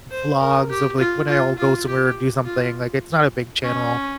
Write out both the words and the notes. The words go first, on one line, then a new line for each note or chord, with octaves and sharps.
vlogs of, like, when I'll go somewhere or do something, like, it's not a big channel,
C5
A#4
G4
F4
F4
F4
G4
F4
C#4